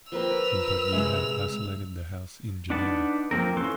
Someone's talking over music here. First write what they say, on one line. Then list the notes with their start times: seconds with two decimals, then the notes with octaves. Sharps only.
But you had isolated the house in Geneva.
0.12 F3 A#3 C4 A#4 B4 E6 F7
0.93 C3 G#3 E5 F#5 G#5
2.70 D4 D#4 B4 F#5 A5
3.31 F3 A#3 C4 A#4
3.57 E3 C#4 A4 B4 C6